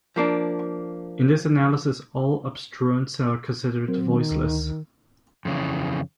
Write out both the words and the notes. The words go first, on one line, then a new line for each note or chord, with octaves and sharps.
In this analysis, all obstruents are considered voiceless.
F3 A#3 D4
F#3 C4 A#4
D#3
D2
F2 C#3 E3